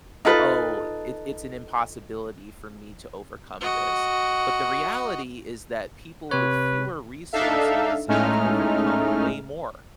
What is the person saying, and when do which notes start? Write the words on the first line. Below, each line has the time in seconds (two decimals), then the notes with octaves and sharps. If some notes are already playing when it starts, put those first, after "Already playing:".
"Oh, it it's an impossibility for me to overcome this." But the reality is that people with fewer resources have overcome way more.
0.25 D#4 F4 A4 B4
3.61 F#4 D#5
6.31 C3 B4 C#5
7.32 D4 D#4 A4 E5 F5
8.08 A2 G#3 A3 C#4 D#4 F6